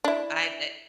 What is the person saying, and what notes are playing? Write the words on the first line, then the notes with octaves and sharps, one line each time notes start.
I bet.
D4 E4